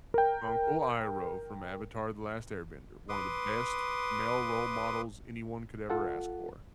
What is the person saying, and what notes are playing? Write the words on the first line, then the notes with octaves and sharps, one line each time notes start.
Uncle Iroh from Avatar: The Last Airbender, one of the best male role models anyone could ever ask for,
A#4 G5
B4 C6 D6 D#6
F4 A4 F#5